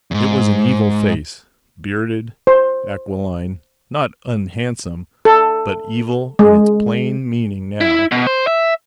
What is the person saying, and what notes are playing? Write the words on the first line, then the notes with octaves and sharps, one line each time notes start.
It was an evil face, bearded, aquiline, not unhandsome; but evil in its plain meaning now.
E2 G#2
C5
A4
G#3
E4
B2
C5
E5